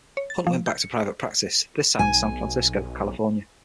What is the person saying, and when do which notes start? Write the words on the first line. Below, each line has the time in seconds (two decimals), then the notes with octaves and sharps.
Hunt went back to private practice, this time in San Francisco, California.
0.17 C#5
0.30 A6
0.47 F3
0.67 G6
0.82 C#7
1.99 B1 G#5